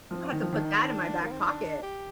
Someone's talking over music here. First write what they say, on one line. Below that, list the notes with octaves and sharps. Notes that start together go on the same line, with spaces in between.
I'm gonna have to put that in my back pocket.
F3 C4
D#3
F3
D#3 D4
D#4
D4
A#3
C4
D4
G4